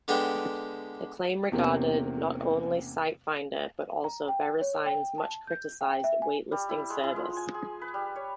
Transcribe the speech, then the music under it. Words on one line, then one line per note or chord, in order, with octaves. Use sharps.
The claim regarded not only Site Finder, but also VeriSign's much-criticised Wait Listing Service.
D3 G#3 B3 D4 G4
E2 C3 A#3 C#4
A#5
G5
C#5
G5
A5
G6
G5
E5
G#5
G3
E4
G#3
E4
F3
G#5
G#4
B4
G3
C#5